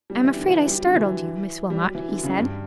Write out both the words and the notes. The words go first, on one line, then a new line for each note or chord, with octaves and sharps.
"I am afraid I startled you, Miss Wilmot," he said.
G3
E3
D3
E3
G3
F#3
D3
E3
G3
F#3
E3
D3
C#3
G2